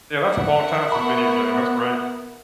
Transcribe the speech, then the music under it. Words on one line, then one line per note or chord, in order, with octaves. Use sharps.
Yeah, that's a long time for a video game, that's great.
A#4 E5 F#5
B3 B5 C#6